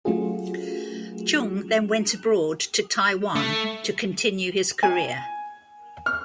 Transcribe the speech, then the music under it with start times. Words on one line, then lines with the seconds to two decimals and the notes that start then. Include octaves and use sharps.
Cheung then went abroad to Taiwan to continue his career.
0.05 F#3 A3 C#4 F4 F#4 G#4
3.36 A3
4.83 G#5
6.06 F6